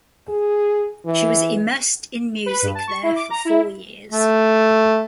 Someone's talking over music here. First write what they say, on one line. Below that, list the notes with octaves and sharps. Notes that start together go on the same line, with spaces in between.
She was immersed in music there for four years.
G#4
E3
B4
G2
A5
C#6
E4
D6
A#5
E4
A3